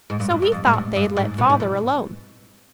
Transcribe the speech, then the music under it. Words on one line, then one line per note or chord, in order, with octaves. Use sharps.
So he thought they'd let Father alone.
G#2
G2
G2
G2
F2
G#2
G2
G2
G#2
B2
G#2
F2